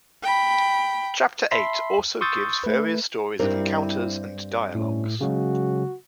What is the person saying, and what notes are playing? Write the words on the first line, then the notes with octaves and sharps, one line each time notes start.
Chapter Eight also gives various stories of encounters and dialogues.
G5 B5
E5 A5 B5 C6 B6 C7
C6 C#6 D#6 E6 G6 A6
A3 B4
G2 C4 E4 A#4
A2 C#4
C#3 F#3 G#3 F#4